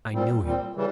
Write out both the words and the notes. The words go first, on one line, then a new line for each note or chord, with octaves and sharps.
I knew him.
A#2 G3 C4
A#2 G3 C4
C#3 E3 G3